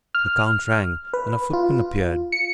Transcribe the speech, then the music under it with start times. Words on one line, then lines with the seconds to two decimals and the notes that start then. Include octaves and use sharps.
The count rang, and a footman appeared.
0.15 F6
1.13 B4
1.53 F4
2.32 C#7